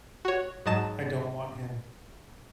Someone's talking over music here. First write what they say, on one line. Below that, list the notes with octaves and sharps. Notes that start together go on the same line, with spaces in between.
I don't want him.
F#4 C#5
G#2 F#3 D#5 A5 E7